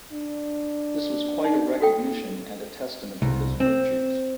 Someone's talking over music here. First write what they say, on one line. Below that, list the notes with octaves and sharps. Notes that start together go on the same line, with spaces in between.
This was quite a recognition and a testament to his virtues.
D4
D#4
F#4 A4 G5
C2
C4